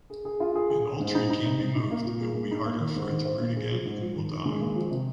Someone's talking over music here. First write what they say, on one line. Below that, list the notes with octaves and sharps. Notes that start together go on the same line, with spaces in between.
An old tree can’t be moved, it will be harder for it to root again and will die.
G#4
G#4
F4
G#4
G#4
G#4
G#2
D#4
D#4
C3
C3
D#4
A#3
A#2
G#4
A#3
D#4
A#3
D#3
G#2
D#3
C5
A#3
G#4
F3
G#2
F3
D#3
D#3
G#3
A#3
F3
C3